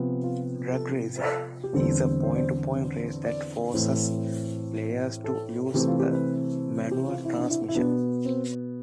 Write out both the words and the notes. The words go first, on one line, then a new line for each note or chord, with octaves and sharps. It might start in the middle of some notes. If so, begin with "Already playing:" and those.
"Drag racing" is a point-to-point race that forces players to use a manual transmission.
Already playing: C3 F3 B3
F4
A4
A4
G4
E2 D3 G3 C4 A4
C5
D5
C5
D5
A2 E3 A3 C4 C5
A4
C3 E3 A3 C4 G4
F4
G4
B4
G4
F4
E4
D4
E4
E4
B2 B3 D4
C4